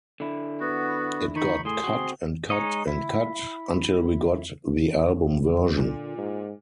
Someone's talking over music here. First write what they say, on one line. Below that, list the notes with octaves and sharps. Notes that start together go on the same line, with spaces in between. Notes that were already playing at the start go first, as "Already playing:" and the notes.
It got cut and cut and cut until we got the album version.
D3 E4
B3 F#4
D#3 D#4 B5 C#6
A2 G#4 C6
C4 F#4
G#3 D#4 C#5 D#5
E4
A#2 D3
G#2